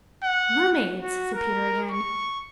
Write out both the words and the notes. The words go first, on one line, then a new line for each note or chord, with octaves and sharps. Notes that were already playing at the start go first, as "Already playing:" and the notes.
"Mermaids!" said Peter again.
F#5
F#4
A#4
C#6